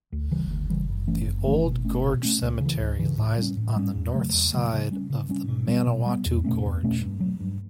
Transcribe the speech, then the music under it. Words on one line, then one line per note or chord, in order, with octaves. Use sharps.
The Old Gorge Cemetery lies on the north side of the Manawatu Gorge.
D2
C#3 E3 G3
D2
C#3 E3 G3
F#2
E3 A3 C#4
F#2
E3 A3 C#4
B2
A3 C#4
B2
A3 C#4
C#2
C#3 E3
C#2
C#3 E3
A2
G3 C#4
A2
G3 C#4
E2
C#3 F#3 A3
E2
C#3 F#3 A3
C#3
G3 C#4
C#3
G3 C#4
B2
G3 B3
B2
G3 B3
E2
B2 A3 C#4
E2
B2 A3 C#4
G2
F#3 A3
G2